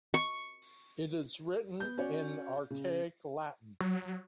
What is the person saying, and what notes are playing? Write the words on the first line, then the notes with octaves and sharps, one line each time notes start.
It is written in archaic Latin.
C#6
B3 G6
C#4 F#4 C#5 D5
C#3
F#3